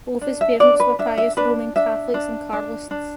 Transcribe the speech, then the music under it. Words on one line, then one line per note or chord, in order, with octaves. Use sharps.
Both his parents were pious Roman Catholics and Carlists.
D4
E5
D4 D5
B4
D4 E5
E5
D4 B4
D4 E5
D4
D4
D4